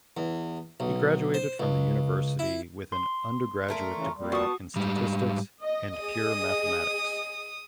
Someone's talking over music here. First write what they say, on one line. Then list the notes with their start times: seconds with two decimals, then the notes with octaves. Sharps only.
He graduated from the university with an undergraduate degree in statistics and pure mathematics.
0.17 E2
0.80 B1
1.34 C5
1.59 C#2
2.39 E4
2.92 C6
3.68 A#2 A3 A#4
3.95 C#3 E3
4.16 A#2 G3
4.32 B3 F#4 A5 C#6 D#6
4.76 G#2 G3
5.62 D#5
5.99 G#4 D#5 D#6